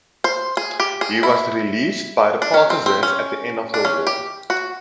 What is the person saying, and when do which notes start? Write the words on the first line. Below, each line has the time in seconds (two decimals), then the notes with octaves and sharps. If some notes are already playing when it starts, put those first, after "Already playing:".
He was released by the partisans at the end of the war.
0.24 C5
0.57 G#4
0.80 G4
1.01 G#4
1.23 E4
2.42 D4
2.54 C#4
2.70 C4
2.86 C4
3.03 C#4
3.74 D4
3.85 C#4
4.07 G4
4.50 F#4